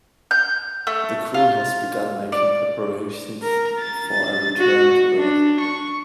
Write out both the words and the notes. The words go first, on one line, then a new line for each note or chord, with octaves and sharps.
The crew has begun making preparations for a return to Earth.
G6
A3
F4
D5
A#4
A6
F#4
D4
C#6